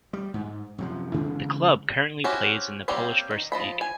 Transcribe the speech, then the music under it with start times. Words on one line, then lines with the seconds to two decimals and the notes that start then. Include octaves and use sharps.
The club currently plays in the Polish First League.
0.13 G3
0.34 G#2
0.78 F#2 C3 F3
1.14 C#3 E3 G#3 C4
2.24 C4 C#4 E4 F#4 G4
2.88 G3 A#3 C4 C#4 G4
3.31 D#3
3.52 F3 D#5 B5
3.81 G#5